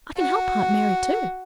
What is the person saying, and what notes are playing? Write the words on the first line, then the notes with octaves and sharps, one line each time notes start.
I can help Aunt Mary, too.
F#4